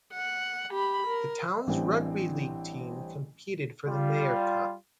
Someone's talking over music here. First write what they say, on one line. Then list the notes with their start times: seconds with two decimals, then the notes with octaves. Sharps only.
The town's rugby league team competed for the Maher Cup.
0.13 F#5
0.71 G4 B5
1.08 A#4
1.67 A1 E3 G3 C4 D4 G5
3.87 G3 F4